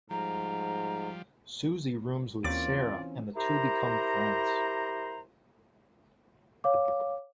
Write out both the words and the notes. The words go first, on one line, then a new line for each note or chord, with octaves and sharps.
Suzy rooms with Sara, and the two become friends.
G#2 F3 G3 A#5
D#2 E3 C4 C#4 F4 D5 D6
E4 G4 A#4 C5 A#5
C#5 F5 D6